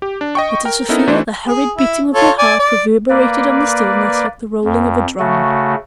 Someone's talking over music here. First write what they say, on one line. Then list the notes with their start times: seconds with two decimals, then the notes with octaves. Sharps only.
But to Sofia the hurried beating of her heart reverberated on the stillness like the rolling of a drum.
0.02 G4
0.21 D4
0.35 D#5 G5 C#6
0.65 A#4 G5 A#5
0.89 B3 C#4 D#4 E4 A4 A#4
1.08 E3 A3 D4 F#4 C5
1.47 G#4
1.78 E4
2.14 F4 A4 C#5
2.38 D5 G#5
2.59 D5
3.10 A#3 B4 D5
4.65 F2
5.20 C#3 A3 F#4